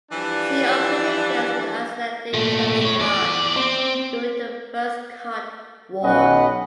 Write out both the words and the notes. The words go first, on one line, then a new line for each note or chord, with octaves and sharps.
She operated against the Icelandic Coast Guard during the First Cod War.
E3 F3 G3 D4
A#2 A3
A3 C#5
E2 D5
C4
B1 C#4 B4 D#5 F#5